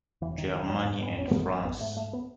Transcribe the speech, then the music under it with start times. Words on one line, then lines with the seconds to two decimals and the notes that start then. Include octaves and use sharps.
Germany and France.
0.21 E1 E3
0.38 D#3
0.53 E1 D#3
0.69 F#3
0.85 G#2 G#3
1.02 B3
1.06 C#4
1.17 A1 C#4
1.28 B3
1.49 G#1 C#4
1.65 B3
1.81 G#2 A3
1.97 A3
2.13 B3